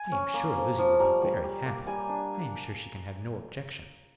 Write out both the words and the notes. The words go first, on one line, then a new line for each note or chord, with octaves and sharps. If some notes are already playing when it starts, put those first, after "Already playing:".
I am sure Lizzy will be very happy--I am sure she can have no objection.
Already playing: G#5
C#4
A#3
F3
F3
G3 A#5
G3
G3
A#3
G3 G#5
D4